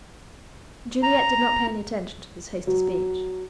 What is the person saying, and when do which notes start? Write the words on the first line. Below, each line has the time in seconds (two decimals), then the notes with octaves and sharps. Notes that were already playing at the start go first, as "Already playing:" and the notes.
Juliet did not pay attention to this hasty speech.
1.03 A#5
2.67 F#3